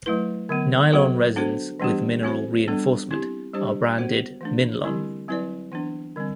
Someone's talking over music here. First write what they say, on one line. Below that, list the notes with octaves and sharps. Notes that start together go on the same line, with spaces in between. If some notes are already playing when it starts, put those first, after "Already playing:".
Nylon resins with mineral reinforcement are branded 'Minlon'.
F#3 A3 E4 B4
D3 F#3 B3
F#3 B3 F#4 A4 C5
B3 D4 F#4 A4 C5
E3 G3 B3 D4 G4
C4 F#4 A4 C5
G3 B3 D4 A4
C4 E4 G4
G3 D4 G4 C5
B3 F#4 C5
E3 A3 D4
D3 G3 C4 E4 G4
F#3 C4 E4 B4 D5
E3 B3 D4
D3 G3 C4